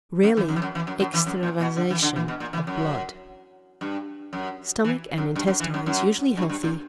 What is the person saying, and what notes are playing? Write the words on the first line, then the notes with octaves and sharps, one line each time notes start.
Rarely extravasation of blood. Stomach and intestines usually healthy.
F#2
E3
F#2
E3
F#2
E3
F#2
F#2
E3
F#2
A#2
B2
D3
E3
D3
E3
B2
A#2
E3
F#2
G2
F#2
E3
F#2
G2
F#2
E3
F#2
F#2
G2
G2
A#2